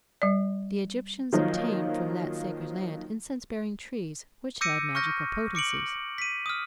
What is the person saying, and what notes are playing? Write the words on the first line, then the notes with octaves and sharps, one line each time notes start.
The Egyptians obtained from that sacred land incense-bearing trees which had magical potency.
G3 D5
D#3 F3 F#3 A#3 D#4
D6 E6 G6 A#6 C#7 D#7
C#6 F6 G6 A#6
D6 C#7 D7 F#7
B6 D#7
D#6 F6